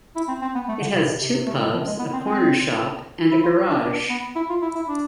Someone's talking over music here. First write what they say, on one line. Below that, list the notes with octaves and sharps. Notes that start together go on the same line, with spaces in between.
It has two pubs a 'corner shop' and a garage.
E4
C4
C4
B3
A3
D3
C3
B2
C3
C3
A3
G#3
F3
G#3
B3
C4
C4
E4
F4
D4
D4
B3
E4
F4
E4
E4
D4